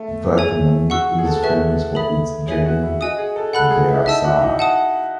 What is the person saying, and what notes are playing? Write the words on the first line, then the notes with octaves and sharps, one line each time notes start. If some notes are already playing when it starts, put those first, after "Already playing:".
Vataman is famous for its Jain "derasar".
Already playing: A3
G#4 C#5 G#5
F#4 F#5 C#6 E6
G#4
A4
A4
G#4 B4 E5 A5 C#6
A4 E5 B5 D#6
G#4 C#5 E5 G#5
F#4
E4
F#4 D#5 G#5 D#6
G#4
A4
A4 F#5 B5 F#6
G#4
E4
D#4 E5 A5 E6
F#4
E4
D#4
F#5 A5 D#6